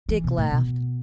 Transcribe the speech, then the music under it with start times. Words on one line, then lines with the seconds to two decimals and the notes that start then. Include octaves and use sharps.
Dick laughed.
0.09 E3
0.24 B2
0.38 A2
0.51 B2